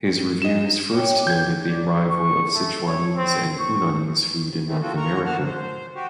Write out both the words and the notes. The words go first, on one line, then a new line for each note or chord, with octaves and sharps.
His reviews first noted the arrival of Sichuanese and Hunanese food in North America.
D#5 E7
C#5 G5 D6
G6 G#6
D5
C#6
A3
C#5
C4
C#6
B2 D#3 E3 G3 A3 C4
F3 C4 F4 F#4 A4
A#4 A#5 C#6
F3 A#3 F#4 F#5 A5 F6
C5
F#4 G4